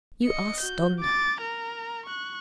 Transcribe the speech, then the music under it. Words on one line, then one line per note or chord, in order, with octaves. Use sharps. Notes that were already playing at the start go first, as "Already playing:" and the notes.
You are stunned.
D#5 C#7
F#4 G6
D6 A6
A#4 A#5
C#6 F#6